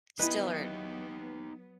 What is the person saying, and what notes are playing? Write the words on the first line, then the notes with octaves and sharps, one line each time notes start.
still are
F#3 B3 D#4 E4 G4 B4 D#5